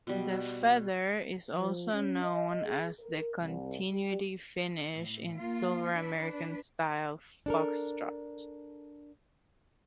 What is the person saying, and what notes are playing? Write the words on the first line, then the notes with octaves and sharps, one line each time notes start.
The feather is also known as the continuity finish in silver American Style Foxtrot.
B2 G3
F3
C#4
D#5
G#4
A#4
C2
G3
A2
A#3 F4
D4 B4
D4 A4 A#4